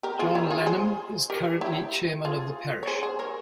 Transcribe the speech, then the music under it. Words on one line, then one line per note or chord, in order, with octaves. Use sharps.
John Lanham is currently Chairman of the Parish.
G4 A#4
F4 G#4
E4 G4
F4 G#4
G#4 C5
G4 A#4
E4 G4
F4 G#4
C#5
G#4 C5
G#4 C5
A#4 C#5